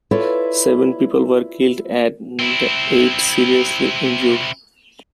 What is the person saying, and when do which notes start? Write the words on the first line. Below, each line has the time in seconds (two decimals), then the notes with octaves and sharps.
Seven people were killed and eight seriously injured.
0.11 E4 F4 A4 B4 C#5 D5
2.39 C4 E4